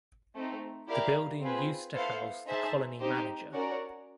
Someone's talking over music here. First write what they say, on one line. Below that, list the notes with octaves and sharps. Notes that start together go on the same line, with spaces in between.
The building used to house the colony manager.
A3 C4 D#4
E4 G4 A#4 D5 F5
C4 F4 G#4 B4
B3 E4 A4 C5 F5
D#4 G#4 C5 E5 A5
C4 D#4 G4 C5
C#4 F#4 A#4 D5